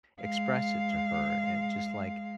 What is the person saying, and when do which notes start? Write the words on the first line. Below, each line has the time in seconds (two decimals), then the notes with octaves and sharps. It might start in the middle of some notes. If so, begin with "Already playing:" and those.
express it to her, eh, just like,
0.21 G#3 F5